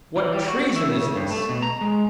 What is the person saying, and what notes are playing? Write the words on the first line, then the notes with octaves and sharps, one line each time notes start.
"What treason is this?"
E3
G3
F#4
E5
C#3
G2
A3
B2
A#5
G#3